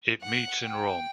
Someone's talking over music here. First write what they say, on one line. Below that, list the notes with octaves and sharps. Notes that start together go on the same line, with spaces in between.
It meets in Rome.
F#5
G5